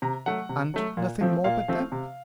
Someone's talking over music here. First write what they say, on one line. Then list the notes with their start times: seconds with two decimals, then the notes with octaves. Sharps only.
"And nothing more but them?"
0.02 C3 A#5
0.26 F#3 A3 F#5
0.49 C3
0.74 F#3 A3
0.97 A#2
1.21 F3 A3 C4
1.44 A#2 F5
1.68 F3 A3 C4
1.92 C3